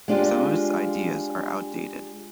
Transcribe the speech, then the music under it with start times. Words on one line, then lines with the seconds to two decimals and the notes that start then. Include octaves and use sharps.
Some of its ideas are outdated.
0.08 G#3 D4 F4 G4